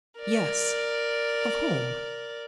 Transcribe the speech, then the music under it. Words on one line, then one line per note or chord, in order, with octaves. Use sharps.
"Yes, of whom?"
A#4 D5